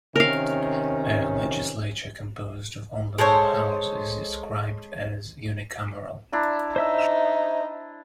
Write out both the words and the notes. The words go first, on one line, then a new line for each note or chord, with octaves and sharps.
A legislature composed of only one house is described as unicameral.
C3 D#3 C#4 A#4 F5
G#3 A4 C5 C#5
D4 E4 A#5
D#4 C5 E5 E6